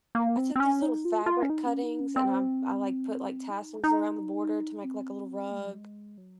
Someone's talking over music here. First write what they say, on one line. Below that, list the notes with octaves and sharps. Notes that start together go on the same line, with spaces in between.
I took these little fabric cuttings and I'm I, like, put, like, tassels around the border to make, like, a little rug,
A#3
C4
C4
C#4
D#4
F4
F4
C#4
D#4
C#4
D#4
C#4
C4
D#4
D#4
C4
A#3
G#3
F#3
G#3
F#3